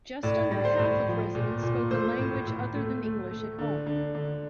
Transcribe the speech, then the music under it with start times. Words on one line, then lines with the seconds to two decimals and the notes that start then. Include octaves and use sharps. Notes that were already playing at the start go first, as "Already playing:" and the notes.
Just under half of residents spoke a language other than English at home.
0.23 A2 D5
0.51 G3
0.65 C5
0.79 A2
1.07 F3
1.35 A#2
1.63 A#2
1.91 A3 C5
2.19 A2
2.47 A2
2.75 A3
3.03 A3
3.31 A3
3.59 D3
3.86 D3
4.15 D3